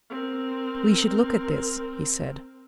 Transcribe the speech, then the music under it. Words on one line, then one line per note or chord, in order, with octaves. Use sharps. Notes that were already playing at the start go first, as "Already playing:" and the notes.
"We should look at this!" he said.
C4 A#4